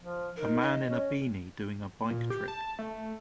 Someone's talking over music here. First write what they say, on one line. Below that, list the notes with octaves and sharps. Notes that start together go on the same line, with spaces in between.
A man in a beanie doing a bike trick.
F3
D#4 A#4
D#5
C#4
A#2
G4
A5
A3